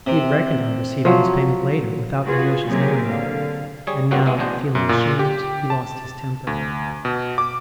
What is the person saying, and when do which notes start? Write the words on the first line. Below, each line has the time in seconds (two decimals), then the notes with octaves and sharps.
He had reckoned on receiving his payment later, without Alyosha's knowing of it, and now, feeling ashamed, he lost his temper.
0.07 C3
1.05 F3 F#3
2.25 F4 F#4 G#4 B4
2.67 C3 F#3 A#3 C4 G4 G#4
3.06 D3 F5
3.87 G3 G#4 C#5
4.11 G2 F#3 A#3 C4 F#4
4.26 G#3 B3 C4 E4
4.37 A1 E2 B2 B3 D4 C5
4.75 F#2
4.89 A#2
5.19 G4
5.70 A5
6.47 D2
7.05 B2
7.38 D6